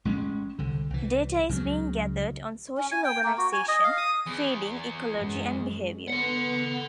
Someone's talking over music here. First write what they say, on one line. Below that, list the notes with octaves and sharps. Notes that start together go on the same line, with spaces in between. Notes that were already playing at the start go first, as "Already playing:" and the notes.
Data is being gathered on social organization, feeding ecology and behavior.
A1 G#3 B3 C#4
C2 D3
C2 E3
C#2 C#3 F3 F#3
C#4
G#5
G5
A#3
F#4
G#5
D#5
F5
D#6
E2
F#2 G#3
B3 A4 F#5